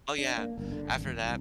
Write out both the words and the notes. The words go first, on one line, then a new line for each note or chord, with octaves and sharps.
Oh, yeah. After that,
D4
A#3
G1
D3
G#1
E1
C2